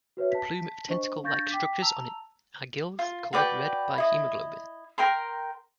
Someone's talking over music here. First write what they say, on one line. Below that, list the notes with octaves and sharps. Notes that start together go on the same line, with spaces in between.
The plume of tentacle-like structures on it are gills, coloured red by haemoglobin.
F#4 B4 C#5 E5
A5 B6
D4 C5 D#5 C#6
D4 F5 C#6 G6 A6 A#6
G5 D6 B6
A5 A#5 E6 F7
F4
F#4 B4 D5 G5
E4 D#5
A#4 G5 A#5 C6